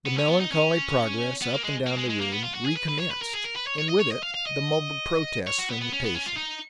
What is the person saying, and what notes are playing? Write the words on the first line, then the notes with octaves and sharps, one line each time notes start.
The melancholy progress up and down the room re-commenced, and with it the mumbled protests from the patient.
B3
C#4
B3
D#4
C#4
B3
A#3
G#3
A#3
G#3
G#3
A#3
B3
F4
F#4
G#4
B4
B4
C#5
B4
A#4
G#4
A#4
B4
C#5
C#5
D#5
C#5
D#5
F5
F5
D#5
C#5
F#4
B3
B3
C#4
B3
C#4
F4
D#4